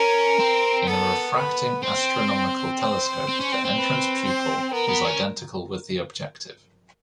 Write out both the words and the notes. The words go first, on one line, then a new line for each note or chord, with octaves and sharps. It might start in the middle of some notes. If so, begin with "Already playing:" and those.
In a refracting astronomical telescope the entrance pupil is identical with the objective.
Already playing: C#4 A#4
C4
B3 A4
B4
C4 C5
C5
C4
C#4
C4
C4
B4
C5
B3 A#4
B3
C#4